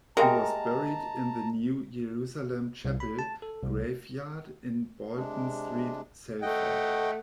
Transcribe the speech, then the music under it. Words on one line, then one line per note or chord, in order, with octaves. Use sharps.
He was buried in the New Jerusalem Chapel graveyard in Bolton Street, Salford.
G#3 A#3 G4 A#4 E5 G5 A5 A#5
C2
B5
A5
A4
C2
C3 G#3 D4
A3 D#5 F#5 G5